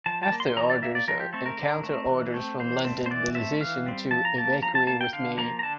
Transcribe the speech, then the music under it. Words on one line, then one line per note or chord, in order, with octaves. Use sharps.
After orders and counterorders from London, the decision to evacuate was made.
F3 A5
A5
A#3
C6
E3 A#5
D5
A#3 E5
D5
F3 A#4
G4
A3 C4 A4
A#4
D3
A3 C4
E3
A3 C4
E3 C5
A3 C4
C5
E3 D5
A3 C4 E5
E3 F5
G3 C4
F3 A5
A#5
A#3 A5
F3 A#5
A5
A#3 A5
G5
D3 F5
F3 A#3 A#5
A#5
D3 A5